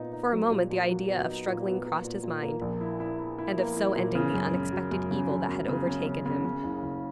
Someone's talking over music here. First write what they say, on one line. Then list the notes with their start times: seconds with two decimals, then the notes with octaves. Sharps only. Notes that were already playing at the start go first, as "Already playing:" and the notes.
For a moment the idea of struggling crossed his mind, and of so ending the unexpected evil that had overtaken him.
Already playing: A#2 B3 D#4
0.13 D#4
0.32 F#3
0.51 A#2
0.71 A#2
0.90 F#3
1.08 B3
1.27 D#4
1.47 A#2
1.66 B3
1.85 A#3
2.04 A#2
2.23 A#2
2.42 A#3
2.62 A#1
2.81 E4
3.00 E4
3.19 E4
3.38 E4
3.58 A#3
3.77 E4
3.96 A#2
4.15 C#3
4.34 F#2
4.53 F#2
4.72 F#3
4.92 F#2
5.11 C#3
5.30 F#3
5.49 F#2
5.68 C#3
5.87 C#3
6.06 C#3
6.26 C#3
6.45 C#3
6.64 F#1
6.83 F#1